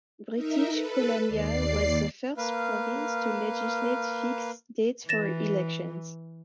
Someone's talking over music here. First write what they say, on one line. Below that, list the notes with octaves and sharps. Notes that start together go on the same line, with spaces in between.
British Columbia was the first province to legislate fixed dates for elections.
D#4 A#4 E5
A4 B4
D#2 D5 C7
A#3 B4 F5
E3 A6 A#6 E7